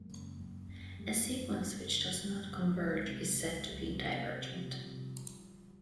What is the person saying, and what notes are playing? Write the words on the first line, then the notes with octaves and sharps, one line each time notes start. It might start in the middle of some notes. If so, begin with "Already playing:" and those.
A sequence which does not converge is said to be divergent.
Already playing: F#2 G#3 A#3
C#3
F#2
F#2
F#2 G3 A3
F#2
F#2
C#3
F#2
C#3
C#2 F#3 G#3
C3
C#2
C#2
C3
C3
C3 F3 G3
C3